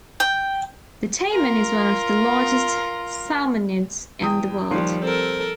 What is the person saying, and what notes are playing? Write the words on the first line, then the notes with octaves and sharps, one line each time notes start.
The taimen is one of the largest salmonids in the world.
G5
F4 A#4
E2 G5 D#6
D#2 F3 G3 C6
C4 A4 A#4